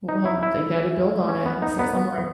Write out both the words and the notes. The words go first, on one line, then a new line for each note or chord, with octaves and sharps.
Well, you gotta build on it and start somewhere.
D#4
E4
E4
C#4
B3
D#4
B3
B3